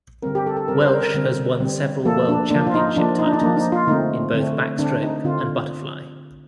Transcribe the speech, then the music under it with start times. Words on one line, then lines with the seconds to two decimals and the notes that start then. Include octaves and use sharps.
Welsh has won several world championship titles in both backstroke and butterfly.
0.22 D3 G3 C4 A#4
0.35 G4
0.46 A4
0.57 A4
0.68 D3 G3 C4 A#4
0.81 C5
0.91 A#4
1.03 A#4
1.14 D3 G3 C4
1.60 D3 G3 C4
2.05 F3 A#3 A4
2.29 D4
2.51 F3 A#3 D4
2.67 F4
2.74 D#4
2.96 F3 A#3 D4
3.19 D#4
3.26 D4
3.33 D#4
3.42 F3 A#3 D4
3.57 D#4
3.72 F4
3.87 D3 A3 C4 D#4
4.34 D3 A3 C4
4.78 D3 A3 C4 D4
5.02 D#4
5.24 D3 A3 C4 F4